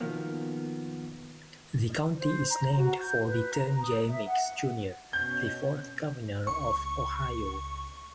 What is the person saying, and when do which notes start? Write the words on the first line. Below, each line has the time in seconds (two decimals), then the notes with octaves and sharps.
The county is named for Return J. Meigs, Junior the fourth Governor of Ohio.
0.01 B2 D#3 F3 A#3 B3
2.18 C5
2.50 A#5
2.77 F#4
3.00 G6
3.26 B4
3.54 A#5
3.82 D#6
4.09 E5
4.27 F#5
5.13 B2 C#4 G6
6.47 C#2 C#6